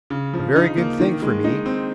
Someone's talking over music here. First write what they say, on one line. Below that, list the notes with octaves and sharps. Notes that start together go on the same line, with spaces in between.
A very good thing for me.
C#3
F3
D#4
A#3
D#3
G#3
D#4
C4